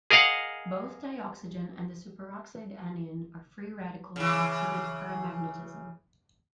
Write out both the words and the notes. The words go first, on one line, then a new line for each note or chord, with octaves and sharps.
Both dioxygen and the superoxide anion are free radicals that exhibit paramagnetism.
G#4 A#4 D#5 F5 F#5
C#3 E3